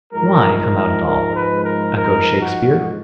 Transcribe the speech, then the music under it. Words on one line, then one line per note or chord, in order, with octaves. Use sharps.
"Why come out at all?" echoed Shakespeare.
G#2 F3 G#3 A#4
A#4
A#4
B4
A#4
A#4
F#4